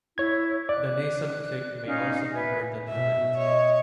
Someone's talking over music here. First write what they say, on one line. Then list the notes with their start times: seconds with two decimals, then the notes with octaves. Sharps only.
The nasal click may also be heard at the right.
0.18 E4 C#5 G#6
0.69 D5 F#6
1.86 C#4 D#4 F5
2.32 B4 E5 G#5
2.88 B2 E5
3.37 C#5 D#5